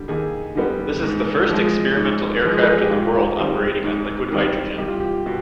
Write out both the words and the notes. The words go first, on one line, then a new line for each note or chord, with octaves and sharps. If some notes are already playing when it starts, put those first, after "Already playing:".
This is the first experimental aircraft in the world operating on liquid hydrogen.
Already playing: D3 G3
D#2 G#4
D3 G3 B3
G#2
F3 G#3
G#2
F3 G#3
B4
G#4
G4
G#2 F4
D#3 G3 C4
G#2
D#3 G3 C4
C2 G4
F4
G4
B2